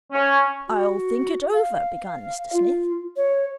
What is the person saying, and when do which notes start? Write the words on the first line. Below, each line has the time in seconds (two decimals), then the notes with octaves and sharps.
'I'll think it over--' began Mr Smith.
0.12 C#4
0.69 F#4
1.54 F5
2.53 F4
3.16 C#5